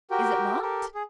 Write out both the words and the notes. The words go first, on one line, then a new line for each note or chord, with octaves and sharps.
"Is it locked?"
F#4 G4 A#4 G5
G4 A4 A#4
G#4